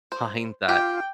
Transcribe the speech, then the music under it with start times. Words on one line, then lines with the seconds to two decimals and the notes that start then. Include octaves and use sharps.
find that,
0.12 C5
0.69 F4 G4 G5